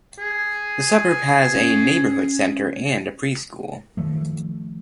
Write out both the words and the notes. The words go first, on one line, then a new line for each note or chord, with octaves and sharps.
The suburb has a neighbourhood centre and a preschool.
G#4
C#4
D#3 F3 A3